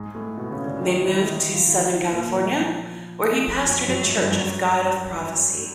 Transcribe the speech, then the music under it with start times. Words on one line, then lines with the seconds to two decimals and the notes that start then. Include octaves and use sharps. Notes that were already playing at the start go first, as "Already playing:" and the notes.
They moved to Southern California, where he pastored a Church of God of Prophecy.
Already playing: G#2 G#3
0.15 A2 A3
0.37 B2 B3
0.51 C#3 C#4
0.66 D3 D4
0.81 D#3 D#4
1.03 E3 E4
1.24 D#3 D#4
1.39 E3 E4
1.54 F3 F4
1.68 E3 E4
2.12 A#2 A#3
2.35 F3
3.43 F3
3.66 F#2 F#3
3.88 F#2 F#3
4.03 G#2 G#3
4.17 G2 G3
4.31 F#2 F#3